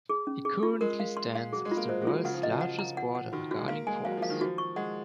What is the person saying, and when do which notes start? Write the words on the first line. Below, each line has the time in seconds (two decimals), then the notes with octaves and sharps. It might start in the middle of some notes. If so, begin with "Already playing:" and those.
It currently stands as the world's largest border guarding force.
0.09 G#4
0.27 C#4
0.45 G#4
0.63 F4
0.81 G#3 A#4
1.00 F5
1.17 C6
1.35 F5
1.53 F#3 G#4
1.65 G#3
1.71 F4
1.77 A#3
1.89 G#3 C5
2.01 F#3
2.07 F4
2.25 C#3 F#5
2.34 F3
2.43 F#3 D#5
2.52 F3
2.61 F#5
2.79 A#5
2.97 F#5
3.15 F#5
3.33 D#3 F#4
3.51 F#4
3.56 G#3
3.68 A#3 F5
3.87 G#3 G#5
4.05 F#3 F5
4.17 F3 F5
4.30 D#3
4.41 F3 F#4
4.58 C#6
4.76 G#3 F#5